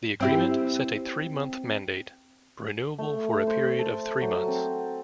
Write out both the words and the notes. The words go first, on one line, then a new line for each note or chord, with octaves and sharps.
The agreement set a three-month mandate, renewable for a period of three months.
C4 E4 G4
A3
C5
A4
F#3
C4